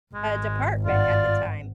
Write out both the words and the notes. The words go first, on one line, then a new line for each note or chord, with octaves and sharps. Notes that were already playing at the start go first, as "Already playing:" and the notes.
uh, department at the time.
G#1 G#3
G2 F4 D5 F#5